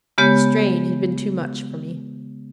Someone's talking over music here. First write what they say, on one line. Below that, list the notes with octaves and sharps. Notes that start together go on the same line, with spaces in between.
The strain had been too much for me.
C#3 G#3 B3 G4 C#5